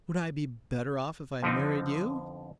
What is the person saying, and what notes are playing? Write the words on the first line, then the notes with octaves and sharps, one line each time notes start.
"Would I be better off if I married you?"
F2 D3 F3 B3 C4 D#4